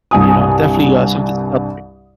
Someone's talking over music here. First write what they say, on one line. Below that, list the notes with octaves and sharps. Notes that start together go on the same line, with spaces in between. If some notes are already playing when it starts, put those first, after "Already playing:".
you know, definitely uh something to celebrate.
C2 G2 G#5 D#6